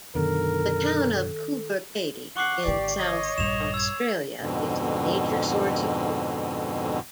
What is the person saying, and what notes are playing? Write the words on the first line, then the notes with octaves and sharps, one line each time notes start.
The town of Coober Pedy in South Australia is a major source of opal.
F#2 B2 D3 D#3 A4 A#4
F#5 C#6 D6 C7
G#1 D3 G4 D5
C#5 D#5
A#1 G2 E7 F7
E6 G#6
F2 G#2 B2 D3